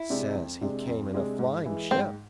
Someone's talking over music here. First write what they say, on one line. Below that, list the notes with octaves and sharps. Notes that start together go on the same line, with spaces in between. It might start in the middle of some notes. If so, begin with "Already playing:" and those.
Says he came in a flying ship.
Already playing: E4
C3 G#3 D4
F2
C3 G#3 D4
F2
C3 G#3 D4
G#2
E3 G#3
G#2 C4